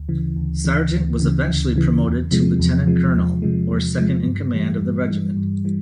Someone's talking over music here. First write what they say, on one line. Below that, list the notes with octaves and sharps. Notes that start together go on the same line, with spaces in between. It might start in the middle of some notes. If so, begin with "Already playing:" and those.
Sargent was eventually promoted to Lieutenant Colonel, or second in-command of the regiment.
Already playing: D2
C#3 E3
D2
C#3 E3
D2
C#3 E3
D2
C#3 E3
E2
C3 F3 G#3
E2
C3 F3 G#3
E2
C3 F3 G#3
E2
C3 F3 G#3
G2
E3 G3
G2
E3 G3
G2
E3 G3